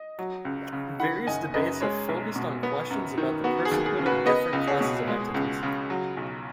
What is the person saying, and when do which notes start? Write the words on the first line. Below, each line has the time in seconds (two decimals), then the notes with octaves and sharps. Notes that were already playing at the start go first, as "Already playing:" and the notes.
Various debates have focused on questions about the personhood of different classes of entities.
Already playing: D#5
0.19 F#3
0.45 C#2
0.73 C#3
1.00 D#3 F#5 B5
1.27 F#1 D#5 G#5
1.54 F#2 B4 D#5
1.81 G#3 G#4 C#5
2.08 B1
2.36 B2
2.63 B3
2.90 F#2
3.18 D#3
3.44 B3 F#4
3.65 G#4
3.71 D#2
3.86 G#4
3.98 C#3
4.06 F#4 B4
4.26 B3 B4 D#5
4.53 C#2
4.67 G#4 C#5
4.81 B2
5.08 G#3
5.34 C#2
5.63 C#3
5.90 F#3
6.17 B1